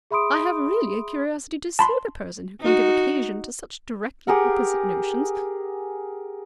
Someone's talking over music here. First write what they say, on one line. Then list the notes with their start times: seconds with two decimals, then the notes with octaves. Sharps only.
I have really a curiosity to see the person who can give occasion to such directly opposite notions.
0.11 G#4 E5 B5 C6 D#6 D7
1.79 A5 B5 C6
2.61 D#4 F#4
4.27 G4 G#4 A#4 F#5